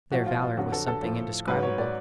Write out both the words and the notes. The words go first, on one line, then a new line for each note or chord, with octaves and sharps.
Their valor was something indescribable.
A2 F3 F#4
F4
F4
F2 D3 F#3 F#4
A4
A4
A2 F3
G#2 F#3 B4
C#5
D5